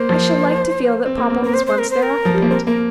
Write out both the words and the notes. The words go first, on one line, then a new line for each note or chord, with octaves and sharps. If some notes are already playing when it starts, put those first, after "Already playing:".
I shall like to feel that papa was once their occupant.
Already playing: A#3 C5
F3
C4
A#3
A#3
C4 A#4
C5
C5
A#4
C5
A#4
F3
G3
A#3
C4 A#4
A#3 A#4